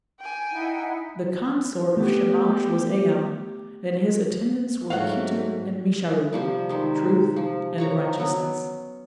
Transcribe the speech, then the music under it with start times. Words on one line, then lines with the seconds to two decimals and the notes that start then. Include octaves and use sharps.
The consort of Shamash was Aa, and his attendants were Kittu and Mesharu, "Truth" and "Righteousness".
0.19 G5 G#5
0.52 D#4 E4 F#5
1.97 A3 B3 G4
4.90 G#2 F#3 A3 F#4 F5 F#5
6.33 C3 F3 G3
6.69 D#3 G#3
7.36 F3
7.78 F3 C#5 A#5
8.18 F#3 B3 C#4